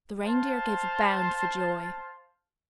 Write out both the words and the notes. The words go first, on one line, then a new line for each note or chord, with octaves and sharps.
The Reindeer gave a bound for joy.
C5 F5 A5